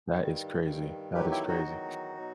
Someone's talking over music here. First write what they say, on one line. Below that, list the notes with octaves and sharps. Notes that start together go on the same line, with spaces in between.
That is crazy. That is crazy.
G2 D#3 G3
G2 D#3 G3
E2 D#3 F#3 G4 B4
E4 G4
D#4 F#4
E2 D#3 F#3
B2 F#3